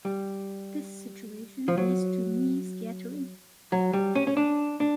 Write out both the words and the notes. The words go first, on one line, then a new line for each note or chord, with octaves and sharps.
This situation leads to Mie scattering.
G3
F3
F#3
F#3
G3
C#4
C#4
D4
D4